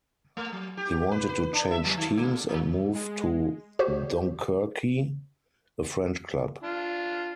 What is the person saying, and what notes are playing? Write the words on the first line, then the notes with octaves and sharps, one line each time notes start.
He wanted to change teams and move to Dunkerque, a French club.
A3
F#3
G4
B4
B4
D4
E5
F#3
D#3
C#3
A#2
G#3
F#4 G4 C5
D4 F4